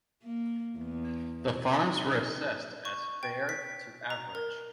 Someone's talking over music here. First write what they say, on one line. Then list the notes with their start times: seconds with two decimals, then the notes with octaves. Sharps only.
The farms were assessed as "fair" to "average".
0.23 A#3
0.77 E2
1.76 D#4
2.85 C#6
3.23 G5
3.49 B6
4.10 A#5
4.35 A#4